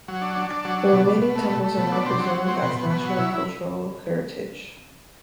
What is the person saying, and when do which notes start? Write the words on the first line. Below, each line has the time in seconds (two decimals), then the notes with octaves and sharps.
The remaining temples are now preserved as national cultural heritage.
0.08 F#3
0.22 D4
0.36 D4
0.51 D4
0.65 F#3
0.78 D4
0.92 B2
1.07 B2
1.21 B2
1.35 A3
1.50 A3
1.63 A3
1.77 B2
1.92 D4
2.06 C4
2.19 F#3
2.34 F#3
2.48 C4
2.62 B2
2.76 B2
2.90 B2
3.04 F#3
3.19 E4
3.33 E4